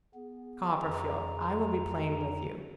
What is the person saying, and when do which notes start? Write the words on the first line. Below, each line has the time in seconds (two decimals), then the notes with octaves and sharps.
Copperfield, I will be plain with you.
0.15 B3 G#4
0.83 F2 A#5